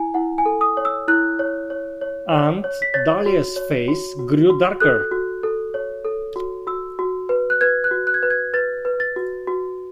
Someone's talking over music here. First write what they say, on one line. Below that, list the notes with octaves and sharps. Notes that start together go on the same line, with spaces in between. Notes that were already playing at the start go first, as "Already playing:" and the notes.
Aunt Dahlia's face grew darker.
Already playing: E4 G#5
E4 F#5
G#5
A4
D#6
C#5
E6
E4 F#6
C#5
C#5
C#5
C#5
C#5
B6
C#5 A6
F#4
C#5
F#4
F#4
F#4
A4 F#6
F#4
A4
C#5
A4
F#4
F#4 E6
F#4
B4
F#6
B4 G#6
F#6
F#4
F#6
G#6
B4 F#6
G#6
B4 A6
B4
A6
F#4
F#4